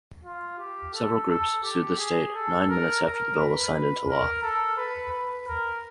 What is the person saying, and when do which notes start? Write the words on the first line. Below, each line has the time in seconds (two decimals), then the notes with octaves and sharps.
Several groups sued the state nine minutes after the bill was signed into law.
0.24 F4
0.59 G4
0.94 A4
1.28 A4
1.63 G4
1.99 G#4
2.34 A4
2.69 A#4
3.03 A#4
3.38 B4
4.08 A#4
4.43 A4
4.77 B4
5.12 B4
5.48 A#4